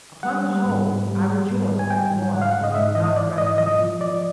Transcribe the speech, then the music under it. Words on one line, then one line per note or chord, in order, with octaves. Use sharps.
Upon the whole, I rejoiced that Lorna was not present now.
G3 F#5
G3
G#2
G#2
G3
G3
G#2
G3
G#5
G3 G5
G#2
G#2 F#5
F5
F#5
G#2
D#5
G#2 E5
E3 D#5
E3 D5
G#2 D#5
F3 D#5
F3
F3 D5